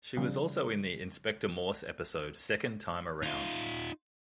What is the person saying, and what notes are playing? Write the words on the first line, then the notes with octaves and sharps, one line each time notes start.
She was also in the "Inspector Morse" episode "Second Time Around".
C#3 F3 G3
D#4 F4